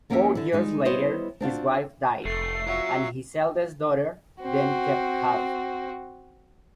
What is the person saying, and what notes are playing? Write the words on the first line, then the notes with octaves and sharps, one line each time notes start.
Four years later, his wife died, and his eldest daughter then kept house.
E2 A#3 C#4 F#4 G4 E5
D3 E4
G3 G#3 D#4
G3 B3 E4 C5 C#5 D#5
C4 D4 F4 F#4
F1 A3 C7
F#3 F4 F#4 E5
C4 F#4